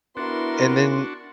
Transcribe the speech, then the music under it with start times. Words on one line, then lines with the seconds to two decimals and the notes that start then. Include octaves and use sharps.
and then
0.17 B3 D4 E4 F#4 A#4 C6